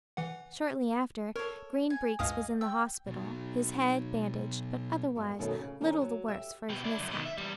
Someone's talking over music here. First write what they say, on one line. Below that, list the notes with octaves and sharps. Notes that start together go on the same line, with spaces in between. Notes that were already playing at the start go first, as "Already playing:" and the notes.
Shortly after Green Breeks was in the hospital, his head bandaged, but otherwise little the worse for his mishap.
E3 F#5
A4 A#4 C#5
G#5
C#2 G2 G#4 D#5 F5 D#6
G5 E6
B2 F#3
D2 G2 B3
F#2 B2 D#3 F#3 A3 C4
C#3
D#3 C4 C#4 A#4
F#3
G4 E5
B2 G4
D4 E4
C#2 F#2
B2 D#3
E5
E2 G3